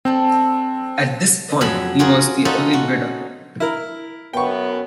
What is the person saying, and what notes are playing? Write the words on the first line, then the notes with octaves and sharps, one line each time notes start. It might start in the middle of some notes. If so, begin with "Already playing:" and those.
At this point, he was the only bidder.
C4 D4 A4 G5
F2 F#3 G#4 E5 B5
F4 F#4 G#4 A#4
C#4 D#4 F4 F#4 A4 E5
F#4
E4 A#4
F#2 B3 G5 C#6